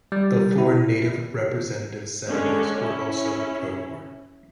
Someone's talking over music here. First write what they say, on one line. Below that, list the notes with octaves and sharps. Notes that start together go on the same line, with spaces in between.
The four Native Representative Senators were also pro-war.
G3
E4
D3 G#3 C#4
C#4 E4